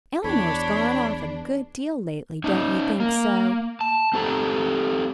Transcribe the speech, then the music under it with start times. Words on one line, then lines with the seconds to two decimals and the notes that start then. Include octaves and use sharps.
Eleanor's gone off a good deal lately, don't you think so?
0.24 E2 D4 C#5 B5
2.44 C#4 D#4
3.00 A#3
3.81 A5
4.14 C4 G4 A4 A#5